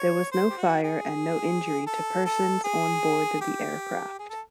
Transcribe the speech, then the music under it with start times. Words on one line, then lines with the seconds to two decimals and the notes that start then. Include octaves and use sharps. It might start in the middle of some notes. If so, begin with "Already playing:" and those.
There was no fire and no injury to persons on board the aircraft.
Already playing: C#5
0.32 C5
0.50 G4
0.57 F#4
0.83 G#4
1.87 A4
2.25 A4
2.64 G#4
3.41 G4
4.19 G#4
4.29 A4